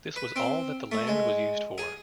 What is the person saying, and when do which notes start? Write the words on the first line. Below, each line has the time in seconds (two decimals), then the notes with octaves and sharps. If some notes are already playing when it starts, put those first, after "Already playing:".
This was all that the land was used for.
0.16 B4
0.36 C4
0.92 A3
1.07 G#3
1.78 G#4